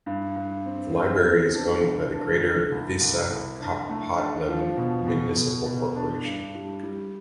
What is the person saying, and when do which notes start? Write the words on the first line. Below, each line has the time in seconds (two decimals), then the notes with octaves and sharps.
The library is owned by the Greater Visakhapatnam Municipal Corporation.
0.06 G2
0.36 G2
0.66 C4
0.94 C4
1.24 B3
1.54 D4
1.84 C2
2.13 D4
2.41 C2
2.72 C2
3.01 C2
3.30 C2
3.60 D4
3.90 A3
4.18 D4
4.49 F3
4.77 B2
5.07 B2
5.36 B2
5.66 B2
5.96 D4
6.24 G2
6.55 G3
6.83 G3